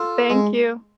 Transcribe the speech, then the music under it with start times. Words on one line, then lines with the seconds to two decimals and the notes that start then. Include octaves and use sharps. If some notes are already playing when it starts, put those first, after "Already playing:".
Thank you.
Already playing: F4 A4
0.30 G#3